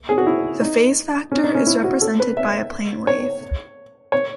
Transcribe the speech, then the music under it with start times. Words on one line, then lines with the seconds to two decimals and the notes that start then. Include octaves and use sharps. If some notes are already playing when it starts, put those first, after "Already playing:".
The phase factor is represented by a plane wave.
0.09 G#4
0.18 F#4
0.26 E4
0.62 D#4
1.32 C#4
1.44 D#4
1.55 C#4
1.67 E4
1.84 F#4
2.02 A4
2.20 B4
2.37 E5
3.07 C#5
4.12 C#5